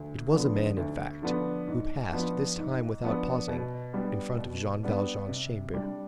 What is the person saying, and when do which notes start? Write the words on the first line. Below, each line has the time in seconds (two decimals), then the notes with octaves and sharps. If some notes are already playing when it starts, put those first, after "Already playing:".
It was a man, in fact, who passed, this time without pausing, in front of Jean Valjean's chamber.
Already playing: D2
0.32 D3 F3 B3 D4
0.77 D2
1.22 D3 F3 B3 D4
1.67 G#2
2.12 F3 B3 D4
2.57 G#2
3.03 F3 B3 D4
3.48 B2
3.93 G3 B3 D4
4.38 B2
4.83 G3 B3 D4
5.29 C3
5.74 G3 D4